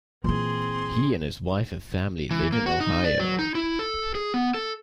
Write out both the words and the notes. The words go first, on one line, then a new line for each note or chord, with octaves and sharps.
He and his wife and family live in Ohio.
A#2 E3 C4 E4 G#4 C6
E3
A#3
F#4
D#4
D5
F#3
D#4
E4
A4
G#4
B3
A4